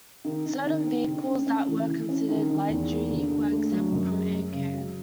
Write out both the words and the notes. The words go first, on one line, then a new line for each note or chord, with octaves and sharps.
Certain vehicles that were considered light-duty were exempt from AirCare.
D#3
D#3
D#3
C4
D3
C#4
C#4
E3
E3
C#4
D#3
D#3
E2
A#3
D3
D3
A3
F#3
F#2
G#3
G#3
C#3
F#3